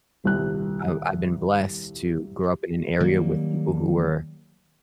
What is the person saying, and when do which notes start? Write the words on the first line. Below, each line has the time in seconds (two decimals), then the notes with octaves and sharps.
I've I've been blessed to grow up in an area with people who were,
0.24 D#1 C2 F#6
3.00 D#3 F#3 G3 A#3